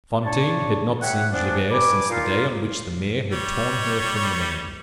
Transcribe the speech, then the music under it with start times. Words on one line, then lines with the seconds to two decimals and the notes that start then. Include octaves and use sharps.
Fantine had not seen Javert since the day on which the mayor had torn her from the man.
0.24 D4 C#5 A5
1.02 G4 C#5 E5 F#5
1.32 F3 B3 C#4 D4
1.71 G2 G#5 B5 D6
2.10 A#2 D#4 F4
3.32 G3 C#5